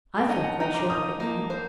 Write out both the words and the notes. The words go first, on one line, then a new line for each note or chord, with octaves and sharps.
"I feel quite sure of it now."
G5
D#4 F#5 A5
F#5 A5
D#4 G5 A#5
A#5 D6
D#4 D#6 G6
A#3
C5